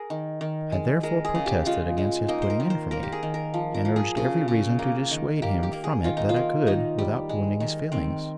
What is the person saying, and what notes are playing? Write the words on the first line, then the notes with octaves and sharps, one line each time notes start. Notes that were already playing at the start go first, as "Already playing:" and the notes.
I therefore protested against his putting in for me, and urged every reason to dissuade him from it that I could, without wounding his feelings.
Already playing: G#4 A#4
D#3
D#3
G#3
G#3 A#4
G#4
C#3
G4
G#3 F4
G#3
A#3 D#4
C5
A#4
D#3
C5
A#3 A#4
G4
G#4
D#3
A#4
F3
A#4
F3
G#4
C#3 G#4
C#3
A#3
D#3
A#3 G4
G4
A#3
G#4
D#3 F4
D#4
F4
A#3
D#3 D#4
G3
G#3
D#3
D#3 C4